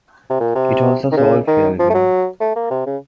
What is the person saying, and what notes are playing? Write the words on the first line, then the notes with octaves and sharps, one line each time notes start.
It also sold fairly well.
C3
A#2
C3
D#3
C#3
D#3
F3
A3
F#3
A3
A#3
C3
C#3